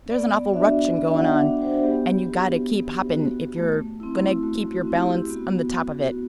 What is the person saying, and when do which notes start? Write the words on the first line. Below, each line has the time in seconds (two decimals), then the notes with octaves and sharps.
There's an awful ruction goin' on, and you got to keep hoppin' if you're goin' to keep your balance on the top of it.
0.10 B3 D5
0.53 D4 F#4 E5
0.96 B3 E5
1.18 F#5
1.40 D4 F#4 G5
1.62 C5
1.83 B3 G4
2.26 F#4
2.70 B3
3.13 F#4
3.56 A3
4.00 C4 E4
4.43 A3 F#4
4.72 F#4
4.87 C4 E4
5.01 G4
5.30 B3 F#4
5.73 F#4